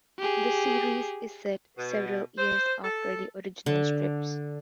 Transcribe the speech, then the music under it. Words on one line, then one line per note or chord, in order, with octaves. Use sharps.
The series is set several years after the original strips.
G4 G#4
B2
C5
A4
D3